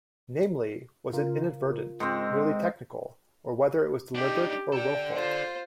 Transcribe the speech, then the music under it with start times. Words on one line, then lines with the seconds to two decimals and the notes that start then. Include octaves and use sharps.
Namely, was it inadvertent, merely technical, or whether it was deliberate or wilful.
1.13 C#3 F4 A#4
2.00 G#2 C4
4.15 D4 D#4 G4
4.72 A4 D5 G5
5.13 F4 C5